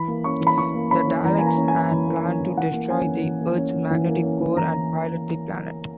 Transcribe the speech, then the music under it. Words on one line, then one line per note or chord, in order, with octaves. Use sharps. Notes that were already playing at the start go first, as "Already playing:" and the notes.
The Daleks here plan to destroy the Earth's magnetic core and pilot the planet.
Already playing: E3 B5
A#3
C#4 C#6
E3
B5
E3 C#6
A#3
C#4 B5
E3
E3 A#5
A#3 G#5
A#5
C#4
G#5
E3
E3
A#3
C#4
E3
E3 F#5
A#3
C#4 G#5
E3
E3
A#3
C#4
E3
E3
A#3
C#4
E3
E3 A#5